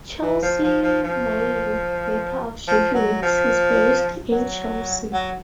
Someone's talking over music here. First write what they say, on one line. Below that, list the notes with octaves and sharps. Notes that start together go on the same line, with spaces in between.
Chelsea Milling, maker of Jiffy Mix, is based in Chelsea.
E3
F3
F3
F3
F3
F3
F#3
F3
F#3
F#3